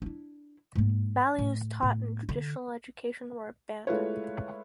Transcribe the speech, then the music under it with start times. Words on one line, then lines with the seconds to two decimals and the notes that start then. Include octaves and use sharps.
Values taught in traditional education were abandoned.
0.02 D4 E4
0.75 G#2 A#3
1.39 A2
1.83 A2 B3
2.29 D3
3.87 G#3 A3 E4 F4 B4 C#5